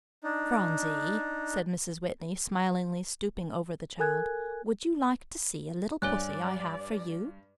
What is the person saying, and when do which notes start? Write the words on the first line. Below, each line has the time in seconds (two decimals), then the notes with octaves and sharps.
"Phronsie," said Mrs. Whitney, smilingly, stooping over the child, "would you like to see a little pussy I have for you?"
0.24 D4 D#4
3.99 A4 A#4 G#5 F#6 G#6
6.02 G2 C#5 D5 G#5 F#6